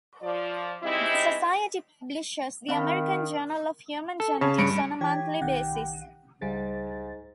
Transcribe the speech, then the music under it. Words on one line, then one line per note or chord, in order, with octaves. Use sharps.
The Society publishes the American Journal of Human Genetics on a monthly basis.
F3 D5
G3 G#3 C4 D#4 E4
D#3 C4 F5 B5
A4
C#3 C#4 A5
G2 C#7 D7
E3 G4 C#5 G#6
B1 D#3 F#5
C#2 G#2 G3 A6